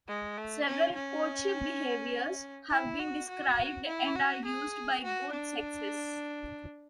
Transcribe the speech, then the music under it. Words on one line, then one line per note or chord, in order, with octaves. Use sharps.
Several courtship behaviors have been described and are used by both sexes.
G#3
A3
C#4
C#4
E4
F#4
F#4
E4
F#4
G#4
F#4
D4